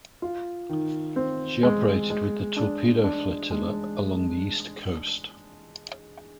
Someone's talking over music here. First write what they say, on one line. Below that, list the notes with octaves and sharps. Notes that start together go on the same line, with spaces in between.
She operated with the Torpedo Flotilla along the east coast.
F4
D#3
C4
G#3
G#3
D4
D4
G#3